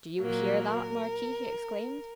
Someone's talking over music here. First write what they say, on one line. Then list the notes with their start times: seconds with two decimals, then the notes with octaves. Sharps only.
"Do you hear that, Marquis?" he exclaimed.
0.20 A#2 F#3 A#3 A#4